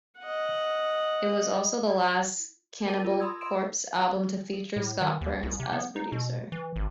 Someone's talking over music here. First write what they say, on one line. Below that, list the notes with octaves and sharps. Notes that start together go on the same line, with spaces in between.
It was also the last Cannibal Corpse album to feature Scott Burns as producer.
D#5 F#5
A#4 A5 D#7
F4
B5 C6 D#6 E6 G#6
C6 D7 E7
A2
D#3
D#2
C2
C3
B3
D#4
B2
E3
G#1